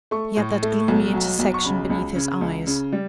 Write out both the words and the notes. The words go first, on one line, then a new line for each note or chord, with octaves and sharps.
He had that gloomy intersection beneath his eyes.
A3 C#6
A2
A3
B1
F#3
B1
C#6
C#3 B5
C#2
C#3
C#2
C#3
G3